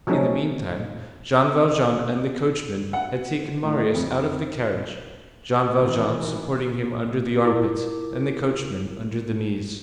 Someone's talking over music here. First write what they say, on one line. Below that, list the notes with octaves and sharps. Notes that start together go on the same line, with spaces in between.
In the meantime Jean Valjean and the coachman had taken Marius out of the carriage, Jean Valjean supporting him under the armpits, and the coachman under the knees.
F3 F#3 A3 C#4 D#4
F#5
A2
F2
D#3 E3
E4 F4 A#4 D6